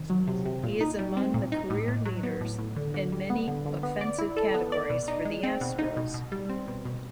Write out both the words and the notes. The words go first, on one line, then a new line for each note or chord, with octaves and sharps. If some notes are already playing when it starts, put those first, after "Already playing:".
He is among the career leaders in many offensive categories for the Astros.
Already playing: C3 D#3
F#3
C3
C3
A#2
D#4
G3
C4
A#2
D#4
A2
A2
F#3
B3
A2
A2
D3
D3
G3
B3
D3
D3
B3
D5
E4
A4
B3
D5
B2
D#4
G#3
C4
B2
D#4
B2
B2
G3
C4
B2
B2